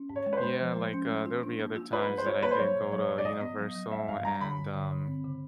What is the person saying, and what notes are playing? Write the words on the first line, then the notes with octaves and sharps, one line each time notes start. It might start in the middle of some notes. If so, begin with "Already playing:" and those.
Yeah, like, uh, there would be other times that i did go to Universal and um,
Already playing: C#4
G#2
C#5
G#3
B4
C5
G#3
F3
G#3
C#4
G#3
F4
D4
A#3
F4
F4 B4
G3
C5
F4 C#5
A#3 B4
C5
F#3 C#5
A2
F#3 C#5
A2
D5
A2 D#5
B3
F#3
F#3
G3 E5
G2 F5
G3 A#5
D3 B5
G2
D3
D3
C4
C#3